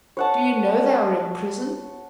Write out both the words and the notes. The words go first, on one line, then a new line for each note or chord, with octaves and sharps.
"Do you know they are in prison?"
C#5 F#5 A5